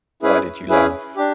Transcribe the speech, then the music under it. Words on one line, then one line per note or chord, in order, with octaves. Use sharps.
Why did you laugh?
C#4 E4 G#4 B4
C#4 E4 G#4 B4
D4 G4